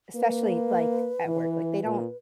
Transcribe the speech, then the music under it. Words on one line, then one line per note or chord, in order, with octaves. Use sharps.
especially, like, at work, like, they don't
A#3 B4
E3
A#2